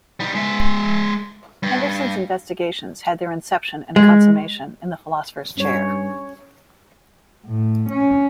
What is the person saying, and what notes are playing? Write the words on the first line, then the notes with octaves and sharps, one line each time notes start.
Henderson's investigations had their inception and consummation in the philosopher's chair.
G3 D#4
G#3 E5
G2
G#3
G2 C#4 C#5
A2
C#4